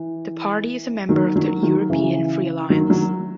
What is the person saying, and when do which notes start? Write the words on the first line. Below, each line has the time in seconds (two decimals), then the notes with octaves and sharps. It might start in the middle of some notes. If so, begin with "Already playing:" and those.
The party is a member of the European Free Alliance.
Already playing: E3
1.09 D#3 F#3
1.36 D#3 F#3
1.62 D#3 F#3
1.90 C#3 E3
2.70 D#3 F#3
2.90 D#3 F#3